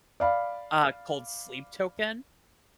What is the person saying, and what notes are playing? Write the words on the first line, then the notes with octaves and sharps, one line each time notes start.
uh, called Sleep Token.
D5 F5 B5